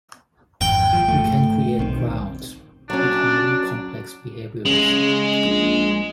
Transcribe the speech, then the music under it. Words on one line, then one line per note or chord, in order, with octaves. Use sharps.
You can create crowds with highly complex behaviors.
G#1 F2 G5
F2 F3
G#1 F2 A3
B1 D#3 C4
F#3 C#4 D4
C#3 G#3
A#1